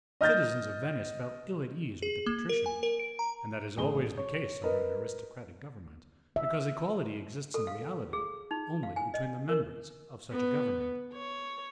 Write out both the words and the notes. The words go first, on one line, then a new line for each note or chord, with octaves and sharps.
The citizens of Venice felt ill at ease with the patricians, and that is always the case under an aristocratic government, because equality exists in reality only between the members of such a government.
D#5 F6 G6 A6
G#4
A#3
A#4
G#5
A#4
D7
A#5
A1 G#4 G7
C#5
A#4 B4 D#5
E5
A4
F5
G#4
D#4
F5
G#5
D#5
A#4
B3
C#5